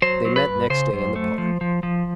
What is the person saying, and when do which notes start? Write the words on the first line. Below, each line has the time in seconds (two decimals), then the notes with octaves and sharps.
They met next day in the park.
0.02 F#3 C5
0.25 F#3
0.36 B4
0.47 G2
0.70 C#3 C5
0.93 F#2
1.16 A3
1.38 F3
1.61 F3
1.83 F3